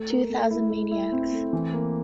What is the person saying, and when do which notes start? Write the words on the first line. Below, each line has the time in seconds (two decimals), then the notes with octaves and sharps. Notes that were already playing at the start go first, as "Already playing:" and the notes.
Two Thousand Maniacs!
Already playing: A3
0.10 A#4
0.30 A3
0.51 E4
0.70 E4
0.91 E4
1.12 C4
1.32 A3
1.53 E3
1.73 A#3